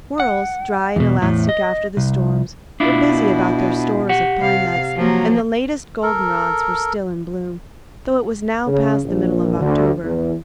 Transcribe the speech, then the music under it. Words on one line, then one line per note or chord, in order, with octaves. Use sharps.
Squirrels, dry and elastic after the storms, were busy about their stores of pine nuts, and the latest goldenrods were still in bloom, though it was now past the middle of October.
F#5
E2 B2
E2 A2
D#5
C2
B2 D4 E4 F4
G4 F#5
C3 F5
F3 F#3 A#3
A4 A#4
C#3
A#1
D2
E2